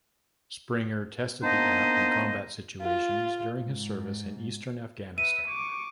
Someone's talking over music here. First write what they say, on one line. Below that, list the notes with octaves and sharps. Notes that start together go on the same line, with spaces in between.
Springer tested the app in combat situations during his service in eastern Afghanistan.
A#3 B3 D4 D#4 C5 D#5
F4
G#2
B4 E5 D#7
C#6 D6